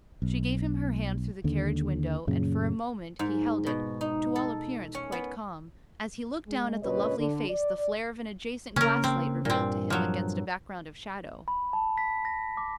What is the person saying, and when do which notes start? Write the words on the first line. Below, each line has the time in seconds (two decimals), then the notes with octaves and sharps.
She gave him her hand through the carriage-window, and, for a moment, he held it, to all appearance quite calm, as he looked down at the lovely face the flare of an adjacent gaslight revealed to him against a background of shadow.
0.22 B1
1.44 D#2 D3
2.27 F#2 A#2 C#3
3.19 G#2
3.66 B2
4.01 D#4
4.36 A4
4.95 C#4
5.12 B3
6.47 G#3
6.82 G2 A#2 C#3 B4 C#5 D#5
7.19 D3
7.50 D5
8.76 C#3 A#3 C#4 A#4
9.04 C4
9.45 G2 A#2 C4
9.90 F3 F#3
11.48 B5
11.73 A5
11.98 B6
12.25 A#6
12.57 D6